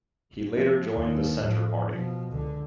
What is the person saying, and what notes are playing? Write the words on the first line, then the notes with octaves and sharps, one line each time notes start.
He later joined the Centre Party.
F3
D#2
A2 F3
B2 F3
C#2 D3